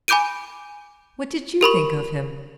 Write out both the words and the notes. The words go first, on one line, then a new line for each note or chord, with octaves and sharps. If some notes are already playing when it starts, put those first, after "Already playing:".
What did you think of him?'
G#5 B5 D6 G6 D7 D#7
G4 A#4 B5 C#6